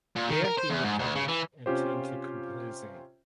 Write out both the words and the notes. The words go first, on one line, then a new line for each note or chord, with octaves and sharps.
There he recovered and turned to composing.
A#2
D#3
A#4
C5
E2
G#2
D2
C#3
E3
C3 C#4 F4 G4 C5